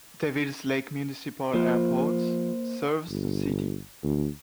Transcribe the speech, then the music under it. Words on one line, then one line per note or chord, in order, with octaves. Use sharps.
Devils Lake Municipal Airport serves the city.
F3 A#3 C5
G1
D2